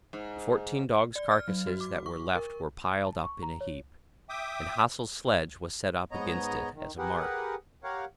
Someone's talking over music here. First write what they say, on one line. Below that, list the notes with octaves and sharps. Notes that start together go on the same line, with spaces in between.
The fourteen dogs' carcasses that were left were piled up in a heap, and Hassel's sledge was set up against it as a mark.
G#2
D5
F6
F#3
F#4
D6
C#6
A#4
A5
C#6
A#5
C#5
E5 G5 D6 D#6
G#2 B3 C#5 D#5 A#5
D#3
G4 G#4 A#4 B4 F#5
G4 A#4 C#5 F5 F#5